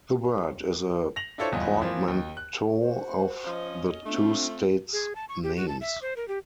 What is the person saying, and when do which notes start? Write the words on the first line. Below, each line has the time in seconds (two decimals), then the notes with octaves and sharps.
The word is a portmanteau of the two states' names.
1.16 A#6 F7 F#7
1.38 D4 E4 F4 A4 C5 C#5
1.52 D#1 E2 G2 F4 D#5
1.81 E3 F3 A#3 C4 F4
2.08 D#2
2.37 F#6
2.81 F#4 C5
3.47 F3 C#4 D#5
4.06 A3 C4 D4 F4
4.93 G#4
5.15 A5
5.29 C#6
5.43 G4
5.56 F#4
5.68 A5
5.81 E5
6.02 C5
6.16 A#4
6.28 G4